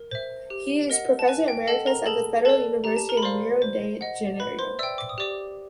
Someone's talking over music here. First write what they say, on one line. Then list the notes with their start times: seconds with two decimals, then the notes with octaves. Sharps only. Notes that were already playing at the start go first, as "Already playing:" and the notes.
He is professor emeritus at the Federal University of Rio de Janeiro.
Already playing: A#4
0.11 C5 E5
0.50 G4
0.90 A#4 D#5 F#5
1.19 A5
1.28 B4 G#5
1.48 G5
1.67 A4 D#5 F#5 A5
1.86 A#4 A#5
2.06 G#4 A4 A5
2.45 A4 B4 D5 A5
2.84 G4 A#5
2.96 A5
3.09 A#4 A#5
3.17 B5
3.22 A#4 C5 D5 F5 C6
3.62 C5
4.01 D#5 F#5
4.40 B4 B5
4.59 C5 C6
4.79 D5 E5 G5 E6
4.98 D6
5.09 D#6
5.18 G4 D5 D6